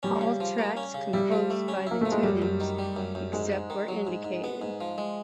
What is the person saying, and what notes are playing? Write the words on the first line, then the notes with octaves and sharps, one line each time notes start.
All tracks composed by The Tubes; except where indicated.
G3 C#4
C#3
F3
A#3
C#4
C#3
G3 E4
F3
A3
C#4
A#3 E4
F3 A3
G#3
F#2 G3
F#2
D#3
G3
F#2
F#2
G#2 G#3
G#2
D#3
F#3
G#2
G#2
B3
G#2
F3
G#3